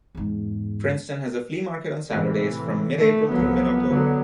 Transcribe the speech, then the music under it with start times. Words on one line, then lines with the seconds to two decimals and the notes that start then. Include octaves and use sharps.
Princeton has a flea market on Saturdays from mid-April through mid-October.
0.15 E2 G#2
2.08 A2 C3 E3
2.99 A3
3.30 C2 F3 F#3 B3
3.86 D3 F#3